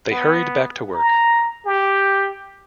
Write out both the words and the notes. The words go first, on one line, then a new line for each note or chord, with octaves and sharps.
They hurried back to work.
B3
A#5
G4